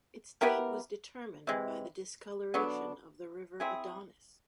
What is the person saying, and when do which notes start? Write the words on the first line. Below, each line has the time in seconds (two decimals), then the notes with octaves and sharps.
Its date was determined by the discoloration of the river Adonis.
0.41 B3 E4 G4 A#4
1.47 C3 E3 G#3
2.54 D3 F#3 B3 D4
3.60 C4 E4 G#4